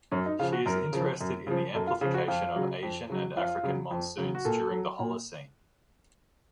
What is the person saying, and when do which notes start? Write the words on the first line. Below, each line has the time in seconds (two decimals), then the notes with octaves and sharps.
She is interested in the amplification of Asian and African monsoons during the holocene.
0.12 F#2 C#4
0.26 D#4
0.39 C#3 F3 F4
0.52 F#4
0.66 F#2 A#4
0.93 C#3 F3
1.21 F#2
1.47 C#3 F3
1.74 F#2 A4
1.87 F4
2.01 C#3 F4
2.04 F3
2.14 F#4
2.28 F2 F4
2.56 C#3 F#3
2.83 F2
3.10 C#3 F#3
3.36 F2 F4
3.63 C#3 F#3
3.91 F2
4.18 C#3 F#3
4.35 F#4
4.45 A#2 A4
4.71 F#3
4.99 A#2